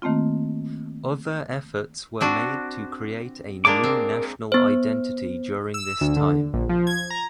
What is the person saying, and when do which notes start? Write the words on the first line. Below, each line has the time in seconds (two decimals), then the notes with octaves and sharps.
Other efforts were made to create a new national identity during this time.
0.02 D#3 A3 A#3 C4 F4
2.21 C4 D4 F#4
3.65 G#3 A#3 D4 A#4 D6
3.84 C4
4.52 B3 C5
5.74 E6
6.01 D2
6.16 D3
6.54 A#1
6.69 F3
6.87 G#6
7.10 A#5